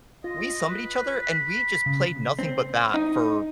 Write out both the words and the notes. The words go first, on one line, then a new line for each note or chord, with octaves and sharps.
we summoned each other, and we just played nothing but that, for
F4 D#5
B4
B5
C#3
C4
D#4